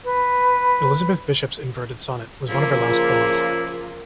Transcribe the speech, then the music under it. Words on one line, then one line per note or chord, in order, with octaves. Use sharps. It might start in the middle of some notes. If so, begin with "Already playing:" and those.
Elizabeth Bishop's inverted "Sonnet" was one of her last poems.
B4
C#3 F3 A#3 E4 F4